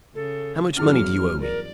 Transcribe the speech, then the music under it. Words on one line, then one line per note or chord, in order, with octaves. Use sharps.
"How much money do you owe me?"
C#3 A4
E2 G2 F#3 C#4 E4 G#4 F6
A#4 D5